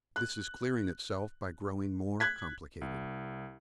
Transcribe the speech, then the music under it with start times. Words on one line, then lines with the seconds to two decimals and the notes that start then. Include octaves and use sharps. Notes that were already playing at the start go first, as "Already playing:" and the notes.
"This is clearing itself by growing more complicated."
0.16 F#6
2.20 F#6 G#6 B6
2.81 C2